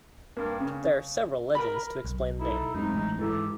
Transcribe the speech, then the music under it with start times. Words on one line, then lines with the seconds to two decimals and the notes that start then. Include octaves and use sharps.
There are several legends to explain the name.
0.37 G2 A#3
0.60 C#3
1.55 A#4 B5
2.05 B1
2.40 D#4 E4 A4
2.75 F#2 C3 G#3 A3 D#4
2.94 A1
3.19 G#2 E3 E4 G4 A4